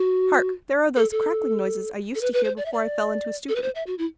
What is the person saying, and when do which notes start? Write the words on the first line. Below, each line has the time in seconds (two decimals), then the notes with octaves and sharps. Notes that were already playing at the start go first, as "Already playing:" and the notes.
Hark! there are those crackling noises I used to hear before I fell into a stupor.
Already playing: F#4
0.96 A4
1.11 A4
2.15 A4
2.21 B4
2.33 B4
2.44 C5
2.57 D5
2.65 E5
2.72 D5
3.49 A4
3.55 B4
3.62 C5
3.75 E5
3.86 F#4
3.98 E4